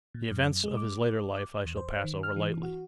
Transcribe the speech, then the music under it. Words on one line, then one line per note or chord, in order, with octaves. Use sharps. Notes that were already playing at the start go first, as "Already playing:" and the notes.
The events of his later life I shall pass over lightly.
A#2
F#2
G#3
D6
E2
C5
D#3
F6
E3
F#4